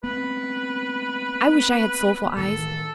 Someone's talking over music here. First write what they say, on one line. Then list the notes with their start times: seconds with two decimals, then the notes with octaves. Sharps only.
I wish I had soulful eyes.
0.04 B3 C4 B4
2.36 A1 D#3 A4